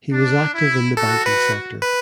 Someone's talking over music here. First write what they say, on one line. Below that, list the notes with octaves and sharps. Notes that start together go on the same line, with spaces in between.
He was active in the banking sector.
D4
E4
F#4 A4
B4
B4